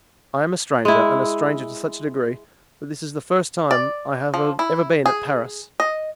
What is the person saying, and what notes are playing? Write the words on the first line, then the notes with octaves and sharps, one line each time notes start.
I am a stranger, and a stranger to such a degree, that this is the first time I have ever been at Paris.
G#3 E4
D5
F3
E4
G#4
D#5